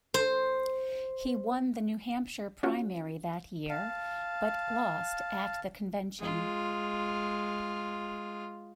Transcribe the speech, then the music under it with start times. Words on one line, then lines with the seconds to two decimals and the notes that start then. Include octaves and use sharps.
He won the New Hampshire primary that year but lost at the convention.
0.14 C5
2.63 C#4 F4 F#4
3.70 F5 A5
6.19 G#3 F4